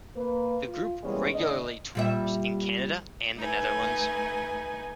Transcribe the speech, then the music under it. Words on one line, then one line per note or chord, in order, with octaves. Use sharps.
The group regularly tours in Canada and the Netherlands.
A#3 B4
F4
B2 E3 G3 G#3 A#3 C#4
A2 D3 D5 D#5
A#2 G3 E5
A3 D#4 B4 G#5